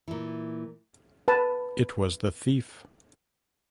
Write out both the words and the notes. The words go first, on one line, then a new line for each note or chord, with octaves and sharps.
It was the thief.
A#2 E3
B4 A5